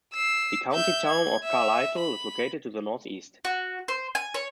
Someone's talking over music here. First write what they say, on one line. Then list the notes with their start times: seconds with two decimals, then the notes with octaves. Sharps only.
The county town of Carlisle is located to the north east.
0.14 E6 C7
0.72 E5 G6
1.07 G#6
1.43 E5
1.98 B5
3.45 F#4
3.88 C5
4.15 G#5
4.34 C#5